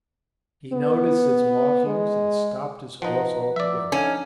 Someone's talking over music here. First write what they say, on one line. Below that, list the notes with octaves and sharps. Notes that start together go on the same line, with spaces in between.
He noticed its marking, and stopped his horse altogether.
B3
G#3
F3 D#4 B4 F#5 A#5
F3 D5 E5
C#4 D#4 A4 F5